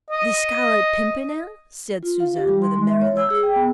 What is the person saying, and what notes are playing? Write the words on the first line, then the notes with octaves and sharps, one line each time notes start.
"The Scarlet Pimpernel?" said Suzanne, with a merry laugh.
D#5
F4
F5
G4
G3
C6
G#3
E5
C#5
E6
G#4
G5
B3